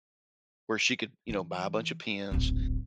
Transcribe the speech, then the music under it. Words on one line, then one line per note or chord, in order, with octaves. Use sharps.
where she could, you know, buy a bunch of pins.
E3
D1 A#1